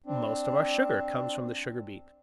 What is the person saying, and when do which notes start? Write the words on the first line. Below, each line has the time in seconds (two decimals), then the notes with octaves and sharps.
Most of our sugar comes from the Sugar-beet.
0.06 C4 D4